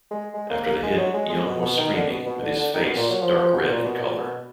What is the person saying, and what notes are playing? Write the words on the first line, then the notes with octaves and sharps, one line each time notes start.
After the hit, Young was screaming with his face dark red in color.
G#3
G#3
A#3
A#3
G#3
F#3
G#3
G#3
B2
B2
D#3
D3
B2
B2
D3
D3
D#3
B2
A#2
F#3
F3
F3
B2
A#2
B2
A#2
B2